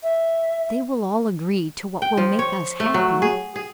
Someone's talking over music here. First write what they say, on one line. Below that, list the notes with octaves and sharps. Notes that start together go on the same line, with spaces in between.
"They will all agree to what will make us happy."
E5
G5
F3
C#5
A3
F#3
G#4
G#4